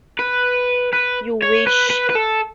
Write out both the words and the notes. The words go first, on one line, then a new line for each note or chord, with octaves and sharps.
You wish!
B4
B4
C#5
B4
B4
B4
A4